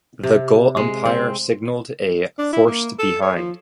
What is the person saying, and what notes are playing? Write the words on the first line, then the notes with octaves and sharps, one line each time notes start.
The goal umpire signalled a "forced behind".
C3
G#3
C4
D4
E4
A#3
A4
C#5
F3